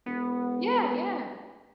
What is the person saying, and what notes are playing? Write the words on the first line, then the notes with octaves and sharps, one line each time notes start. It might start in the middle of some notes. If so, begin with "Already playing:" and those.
Yeah, yeah.
E1 B3